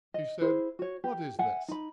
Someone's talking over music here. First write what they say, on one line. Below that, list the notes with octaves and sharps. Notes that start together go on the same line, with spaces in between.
He said: 'What is this?
D#5
E4 G#4 C5
F#4 C#5
G4
E5 F#5 G#5
D#4 B5